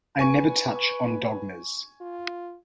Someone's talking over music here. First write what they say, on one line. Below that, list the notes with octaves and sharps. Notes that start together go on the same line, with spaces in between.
I never touch on dogmas.
B4 G#5 C#6
F4